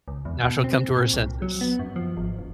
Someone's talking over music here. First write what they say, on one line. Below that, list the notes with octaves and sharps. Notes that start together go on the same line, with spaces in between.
Now she'll come to her senses,
C#2
E2
B2
C4
A#2
C2
F#3
B3
F#2
F3
G#1
E1